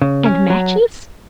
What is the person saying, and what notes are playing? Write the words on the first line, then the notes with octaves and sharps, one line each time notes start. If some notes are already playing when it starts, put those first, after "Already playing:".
"And matches?"
C#3
C#4
F#3